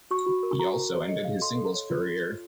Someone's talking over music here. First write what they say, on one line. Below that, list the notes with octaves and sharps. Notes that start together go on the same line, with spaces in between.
He also ended his singles career.
F#4 C#6
F#4
A#4
F#4 A#5
A#4
C#5
A4 D#5
C#5 F5
A4 C6
A4
C#5
F4